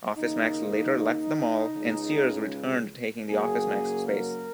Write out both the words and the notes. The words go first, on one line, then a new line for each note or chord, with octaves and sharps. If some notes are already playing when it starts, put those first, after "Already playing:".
OfficeMax later left the mall, and Sears returned taking the OfficeMax space.
D#2 C#3 A#3 D#4
C#2 C#3 G#3
F#2 C#3 F#3 A#3 G#4
A#4